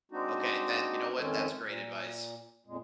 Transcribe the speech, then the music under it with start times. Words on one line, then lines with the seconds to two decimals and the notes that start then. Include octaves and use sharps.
Okay, that you know what, that's great advice.
0.11 G#3 C4 D4 D#4 F#4
1.18 F2 D#3 G#3 C#4 A4
1.64 A#2
2.66 F2 A#2 G#3